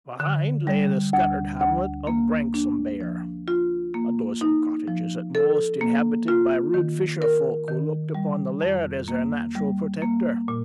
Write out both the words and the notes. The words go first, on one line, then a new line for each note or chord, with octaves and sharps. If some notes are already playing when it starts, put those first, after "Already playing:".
Behind lay the scattered hamlet of Branksome-Bere--a dozen cottages at most--inhabited by rude fisher-folk who looked upon the laird as their natural protector.
D3
G3
D2
D2
A#3
D4
F3
F4
A#3
D#4
F3
A4
A#3
F4
D#3
A#4
D#3
G3
F2
A#3
G3
A#3
A#2